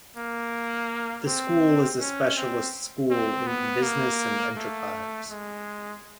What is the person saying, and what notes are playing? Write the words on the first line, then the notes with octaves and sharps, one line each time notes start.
The school is a specialist school in Business and Enterprise.
A#3
C4
C#4
C4
C4
B3
A#3
A3
G#3